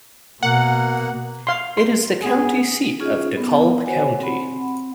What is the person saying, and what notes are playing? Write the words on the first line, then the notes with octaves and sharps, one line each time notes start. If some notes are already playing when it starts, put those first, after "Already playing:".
It is the county seat of DeKalb County.
B2 A#3 F#5
F5 C6
C6
B3 G#4
C#4 D#4 F4 G#4
B3
F#4 C5 C#5 F#5 G#5
C4 F#5 B5